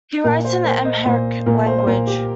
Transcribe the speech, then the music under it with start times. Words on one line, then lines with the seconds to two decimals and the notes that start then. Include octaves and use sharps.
He writes in the Amharic language.
0.24 A#2 A#4
0.45 C5
0.65 A#3 C5
0.85 D#5
1.05 A#2 C5
1.46 A#2 A#4
1.66 C5
1.79 C5
1.86 A#2 A#4
2.07 G4